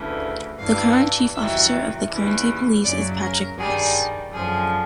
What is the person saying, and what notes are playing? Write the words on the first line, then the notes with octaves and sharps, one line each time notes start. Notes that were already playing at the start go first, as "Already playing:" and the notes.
The current Chief Officer of the Guernsey Police is Patrick Rice.
Already playing: D2 C#3 E3
G2 E3 G3 F5
E2 C3 D#3 F#3 E5
D#2 C#3 E3 G3
F#2 C#3 F#3 D5
A#4
G2 D#3 G3 G#4
F#2 D3 F3 G#4